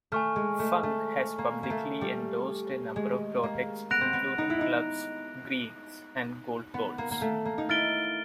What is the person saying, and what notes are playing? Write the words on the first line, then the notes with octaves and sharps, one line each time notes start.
Funk has publicly endorsed a number of products including clubs, greens, and golf balls.
A3 G#5 C#6 F6
G#3
A3
A3
A#3
A#3
A3
G3
G#3
A#3
B3 F#6 A#6 D7 F7
C4
B3
D#4
E4
D#4
B3
A#3
A#3
A3
A#3
D#4
E4 F6 A6 D7 G7